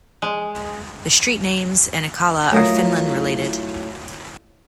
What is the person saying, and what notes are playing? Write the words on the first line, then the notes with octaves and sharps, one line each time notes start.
The street names in Akalla are Finland related.
G#3
F#3 A3 E4 F4 A#4 D#5